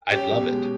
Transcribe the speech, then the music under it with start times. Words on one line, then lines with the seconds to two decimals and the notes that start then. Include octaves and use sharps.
I'd love it.
0.12 C#4 G4
0.31 B2
0.51 G#3